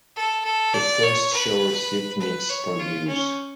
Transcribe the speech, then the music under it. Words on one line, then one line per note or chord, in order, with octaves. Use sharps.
The first show received mixed reviews.
A4
A4
D5
C#5
B4
B4
C#5
F4
C#4